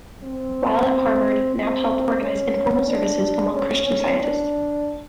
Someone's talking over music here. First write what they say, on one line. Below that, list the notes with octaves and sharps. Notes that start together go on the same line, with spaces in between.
While at Harvard, Knapp helped organize informal services among Christian Scientists.
C4
C4
C#4
D4
C#4
C#4
D4